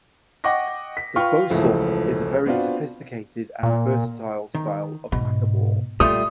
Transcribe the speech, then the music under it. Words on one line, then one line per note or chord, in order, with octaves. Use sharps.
The bosal is a very sophisticated and versatile style of hackamore.
D#5 F#5 G5 C#6 D6 A#6
B6
F4 B4 G5 C#6 F6
E1 C#2 E3 F3 A3 E5
B3 C4 D4 F4 F#4
A#2
D#3
G#2 B2
A#2 G3 A3 F4 D#6